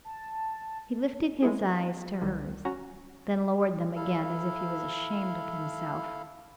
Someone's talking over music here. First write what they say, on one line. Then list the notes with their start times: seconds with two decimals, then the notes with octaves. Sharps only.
He lifted his eyes to hers, then lowered them again as if he was ashamed of himself.
0.05 A5
1.42 G#3 A3 E4 G#4
2.21 C2 D#3 G3
2.65 C#4 F#4 A#5
3.96 E4 A4 F5